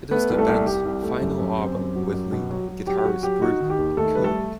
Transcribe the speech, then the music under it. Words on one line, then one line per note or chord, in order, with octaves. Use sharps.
It is the band's final album with lead guitarist Bruce Kulick.
A3 B3 B4
C2
A3 A4
C2
C2 G4
C2
A3
F#2
F#2
C4
F#2
F#3
F#2
B2
F#3
F#3
F#3 G4
G4
F#3 F#4
F#3 G4
D#4 F#4
D#3
G4
D#2
D#3 A3 A4
G3 B4
A3 A4